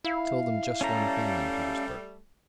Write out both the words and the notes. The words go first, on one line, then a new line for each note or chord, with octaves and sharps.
"I told them just one thing in Petersburg."
E4 F5
G3 A3 C#4 A4 A#5